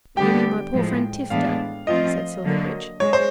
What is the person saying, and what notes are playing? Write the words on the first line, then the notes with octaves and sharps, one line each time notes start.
"You mean my poor friend Tifto," said Silverbridge.
D3 G3 B3 D4 G4 G5
A2 F3 G#3
A2 E3 G#3 B3 D4 F5
F3 A3 C4 F4 D#5
D3 F#3 A#3
G#3 C#5
C5